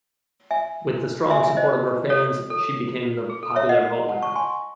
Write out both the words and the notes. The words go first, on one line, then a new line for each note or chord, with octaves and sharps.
With the strong support of her fans, she became the popular vote winner.
E5 G#5
E5 G#5
E5 G#5
C5 D#5
A4 C#5
A4
G#4
A4
C#5 E5
D#5 F#5
F#5 A5
A5 C#6
G#5 C6